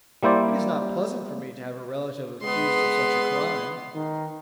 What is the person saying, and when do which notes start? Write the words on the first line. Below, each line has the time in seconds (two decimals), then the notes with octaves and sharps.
It is not pleasant for me to have a relative accused of such a crime.
0.23 G3 A#3 E4 C5 D5
2.42 G#3 B3 C6
3.95 D#3